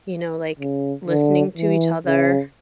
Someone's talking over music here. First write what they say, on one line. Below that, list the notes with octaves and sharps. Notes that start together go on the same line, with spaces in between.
You know, like listening to each other
C#3
D3
E3
C#3